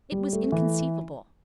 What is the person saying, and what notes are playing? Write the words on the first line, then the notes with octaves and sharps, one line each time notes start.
It was inconceivable.
G3
A3
E3